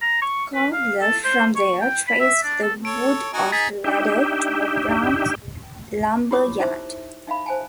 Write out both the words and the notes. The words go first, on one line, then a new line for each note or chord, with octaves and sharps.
Koehler, from there, traced the wood of the ladder to a Bronx lumber yard.
A#5
C#6
B4
F5
A4
C5
C#6
G5
B5
E5
D4
A4
A4 C#5 D7
D#4 F#4 G#5
D#4 G#4 G#6 A6 B6
D4 D#4 G4 E5 G5
E4 F4 G4 C#5 D6 D#6
D#4 E4 C5 E5
D#4 E5 F5 B5
C5 G#5 A5